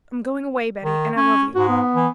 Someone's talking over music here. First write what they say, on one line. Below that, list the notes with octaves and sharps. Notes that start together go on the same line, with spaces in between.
I'm going away, Betty, and I love you.
D#3
C#4
G#2 F#4
B3
E3